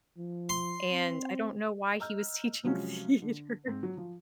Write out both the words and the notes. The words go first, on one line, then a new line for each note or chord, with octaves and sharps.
and I don't know why he was teaching theater.
F3
C6
C4
D#5 A#5 E6 F6 G6
C3 F3 F#3 G#3 C#4
D3
G#2 C4
F#3
F3